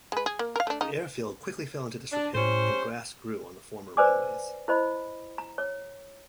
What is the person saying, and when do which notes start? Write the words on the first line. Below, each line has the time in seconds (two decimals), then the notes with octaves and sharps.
The airfield quickly fell into disrepair and grass grew on the former runways.
0.12 G#3 B4
0.26 G#4
0.39 A#3
0.56 A#4 F5
0.67 A3 D4
0.81 C#3 D#4
2.12 D4
2.35 A2 G3 C#4 C5
3.97 B4 C5 D5 G#5 D6
4.68 E4 C5 D#5 B5
5.38 A#5
5.58 C#5